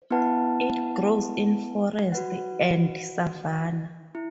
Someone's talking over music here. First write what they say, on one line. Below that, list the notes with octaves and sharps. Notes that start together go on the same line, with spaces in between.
It grows in forests and savannah.
B3 E4 B4 F#5 A5
F#4 B4 F#5
E4